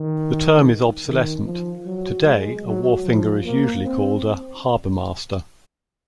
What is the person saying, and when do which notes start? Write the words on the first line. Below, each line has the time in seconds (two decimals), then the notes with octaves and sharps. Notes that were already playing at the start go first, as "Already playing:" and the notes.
The term is obsolescent; today a wharfinger is usually called a "harbourmaster".
Already playing: D#3
1.06 D#3
1.46 F3
1.86 F#3
2.26 G#3
2.66 F#3
3.05 F3
3.45 A#3
3.85 C4